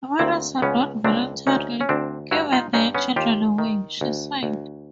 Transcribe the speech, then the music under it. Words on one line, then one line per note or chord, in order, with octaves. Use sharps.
Mothers had not voluntarily given their children away, she said.
D2 A#3 C4
C#2 B3 C#4
C#2 C4 D4
D2 C#4 D#4
C#4
D2 C4 D4
G2 E4 F#4
D#4 F4
G2 C#4 D#4
B3 C#4
D#2 F4 G4
D#3
D2
D2